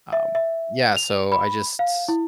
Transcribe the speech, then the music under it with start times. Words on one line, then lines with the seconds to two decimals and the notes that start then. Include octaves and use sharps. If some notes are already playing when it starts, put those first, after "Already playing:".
um, yeah, so I just
0.13 E5
0.35 E5
0.97 F7
1.32 B5
1.79 F5
2.09 E4